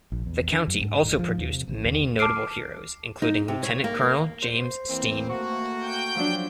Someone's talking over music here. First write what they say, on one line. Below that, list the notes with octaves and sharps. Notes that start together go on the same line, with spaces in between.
The county also produced many notable heroes including Lieutenant Colonel James Steen.
A#1
E2
D4
F#2
G#2
D#1
F3
D#2
C3
A1
D#2
A5 D6 F6 C7 D7
D#4
C3
C#5
A#3
C5
E3 A#3 C4
A3 A#3 F#4 C#6
G5 G6
F3 F#3 D4